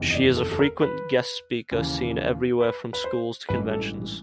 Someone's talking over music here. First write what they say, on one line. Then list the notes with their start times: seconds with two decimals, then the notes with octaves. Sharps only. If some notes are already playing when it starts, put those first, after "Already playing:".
She is a frequent guest speaker, seen everywhere from schools to conventions.
Already playing: F#1 E2 C3 D#3
0.10 D#5
0.15 D5
0.37 A4
0.52 A4
0.59 A#4
0.81 B4
1.71 D#2 C#3 E3
2.61 B4
2.93 B4
3.04 C5
3.49 A1 G2 E3 G#3 B4
3.71 A4